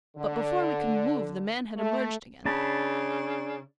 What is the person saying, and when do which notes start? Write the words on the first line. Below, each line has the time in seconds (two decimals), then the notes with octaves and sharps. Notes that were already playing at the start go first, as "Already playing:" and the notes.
But before we could move, the man had emerged again.
0.17 D3
1.77 A3
2.46 C#3 D4 A5 B5